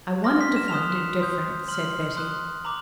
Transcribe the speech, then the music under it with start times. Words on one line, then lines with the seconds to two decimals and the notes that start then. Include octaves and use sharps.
"I wanted to find it different," said Betty.
0.24 C6 F6 A#6
0.41 B6
0.56 E7
0.68 F7
0.72 C6 D#6 F#6 E7
1.20 C6 D#6 G6
1.68 C6 F6 F#7
2.17 C6 D#6 F#6
2.64 A#5 D6 F#7